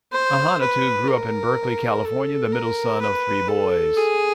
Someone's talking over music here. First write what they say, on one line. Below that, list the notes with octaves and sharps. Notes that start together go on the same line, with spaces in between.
Ahanotu grew up in Berkeley, California, the middle son of three boys.
C5
B4
A#4
A4
A#4
B4
A4
G#4